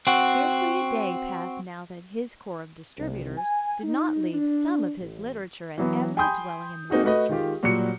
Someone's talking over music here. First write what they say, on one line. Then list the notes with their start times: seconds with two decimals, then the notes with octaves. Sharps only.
Scarcely a day passed now that his corps of distributors did not leave some of his literature at every dwelling in the district.
0.07 C4 F#4
2.98 C2
3.38 G#5
3.83 D#4
4.33 D4
5.01 A1
5.78 E3 F#3 B3
6.17 G5 G#5 B5 C6 D#6 G6
6.90 A#3 C4 D#4 F#4 G#4
7.03 A3 F#4 B4 D#5
7.29 D#3 G#3 F4 G4
7.63 A#2 F#3 G3 F#4 C#7